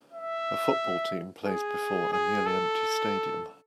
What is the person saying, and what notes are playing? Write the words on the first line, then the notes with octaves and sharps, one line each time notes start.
A football team plays before a nearlyempty stadium.
E5
G#4
G#4
A4